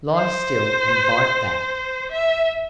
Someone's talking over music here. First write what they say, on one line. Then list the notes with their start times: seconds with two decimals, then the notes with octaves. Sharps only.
Lie still and bite that.
0.16 C5
2.11 E5